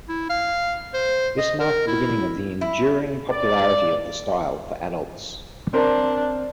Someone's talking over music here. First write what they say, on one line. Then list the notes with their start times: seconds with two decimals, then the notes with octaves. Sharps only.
This marked the beginning of the enduring popularity of the style for adults.
0.09 E4
0.30 F5
0.94 C5
1.38 D#5
1.60 A#4
1.87 E4
2.61 E4
3.30 D5
5.73 C4 D4 A#4 C5